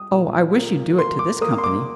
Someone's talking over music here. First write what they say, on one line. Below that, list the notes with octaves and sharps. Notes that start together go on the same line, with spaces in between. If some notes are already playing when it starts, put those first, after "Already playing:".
"Oh, I wish you'd do it to this company."
Already playing: G3 D#6
A#2
A#3
A#3 C6
D6
A#3 D#6
C6
D6